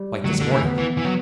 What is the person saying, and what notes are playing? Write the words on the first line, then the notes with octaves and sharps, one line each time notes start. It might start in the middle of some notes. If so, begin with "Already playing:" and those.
"Like this morning."
Already playing: G3
D2 F#3
D3
E3
B3
E3
E3
F#3 B3